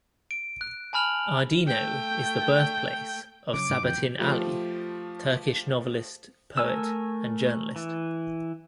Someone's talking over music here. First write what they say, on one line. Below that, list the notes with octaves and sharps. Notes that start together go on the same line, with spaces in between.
Ardino is the birthplace of Sabahattin Ali, Turkish novelist, poet and journalist.
D7
F#6
G#5 A5 B5 F6 F7 F#7
A3 G5
C#3 F3 F#3 D6
G#2 D3
F2 D3 E3 G5
A#2
F3 A3 F4 G4
A3 A#4 G#5 E6
E3